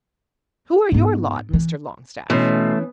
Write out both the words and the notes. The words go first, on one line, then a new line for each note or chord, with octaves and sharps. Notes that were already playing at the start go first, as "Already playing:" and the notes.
"Who are your lot, Mr. Longstaff?"
G#2 B3
E3
B2 E3 A3 C#4 C6